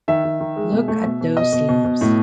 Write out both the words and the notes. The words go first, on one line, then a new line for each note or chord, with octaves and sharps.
Look at those sleeves!
D#3 E5
D#3
D#3
G#3
B2
A3
B2
B2
B2 D#5
B2
B2
B2
A2